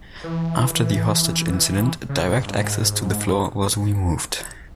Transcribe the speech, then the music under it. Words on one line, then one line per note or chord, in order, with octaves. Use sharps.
After the hostage incident, direct access to the floor was removed.
E3
C#3
A#2
G2
G#2